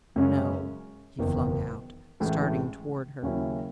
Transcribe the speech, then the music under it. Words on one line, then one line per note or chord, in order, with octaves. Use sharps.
"No--" he flung out, starting toward her.
F#2 C#3 G#3 C#4
F#1 E2 D#3
A1 A2 E3 G#3
D#2 C#3 F#3 C#4 E4